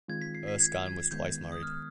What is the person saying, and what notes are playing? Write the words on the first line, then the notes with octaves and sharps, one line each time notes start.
Erskine was twice married.
D#3 G#3 C4 F4 G#6
B6
C7
B6
G#6
G#6
D#3 G#3 B3 G6
D#6
F6